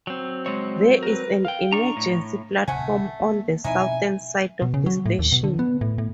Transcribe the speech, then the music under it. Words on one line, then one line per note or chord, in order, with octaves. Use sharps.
There is an emergency platform on the southern side of the station.
F#3 C4
G#3 C#5
A#4 B4
F5 G5
D4 A#5 C#6
A2
D1 C3 A3 F#5 G#5
A#3
B2 F3 C4 D#4 E4 E5 G#5
B2
C#3
F#3
A2
D#2
B2
D3
B3
A2
A2